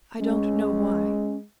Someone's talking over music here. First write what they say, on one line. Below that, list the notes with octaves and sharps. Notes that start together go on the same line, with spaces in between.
I don't know why.
G#3 C#4